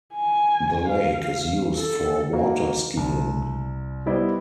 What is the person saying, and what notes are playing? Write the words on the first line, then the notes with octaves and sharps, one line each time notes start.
The lake is used for water skiing.
G#5
F5
A4
A#3 D#4 F#4
C2
G3 B3 E4 C5 D5 D#5